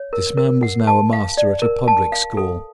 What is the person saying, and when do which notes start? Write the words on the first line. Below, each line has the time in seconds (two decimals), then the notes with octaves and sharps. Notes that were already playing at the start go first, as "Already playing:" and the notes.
This man was now a master at a public school.
Already playing: C#5
0.13 A#4
0.37 A#4
0.63 F#5
0.87 A5
1.13 F5
1.37 D5
1.62 A#4
1.88 A5
2.12 F5
2.37 A4